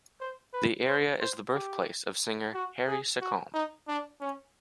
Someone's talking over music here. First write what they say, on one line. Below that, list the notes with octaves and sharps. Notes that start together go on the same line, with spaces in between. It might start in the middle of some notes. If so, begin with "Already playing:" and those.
The area is the birthplace of singer Harry Secombe.
C5
B4
C5
C5
G4
F#4
G#4
F#4
D#4
D4
C#4